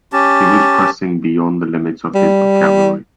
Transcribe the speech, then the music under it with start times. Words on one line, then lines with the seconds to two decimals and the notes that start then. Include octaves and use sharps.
He was pressing beyond the limits of his vocabulary.
0.13 C#4 G4 A5
2.15 G3